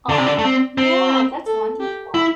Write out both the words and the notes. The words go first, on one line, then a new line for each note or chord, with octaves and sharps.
Aw, yeah, that's wonderful.
D3 D5
C3
D3
A3
C4
C4 C5
A4
G4
E4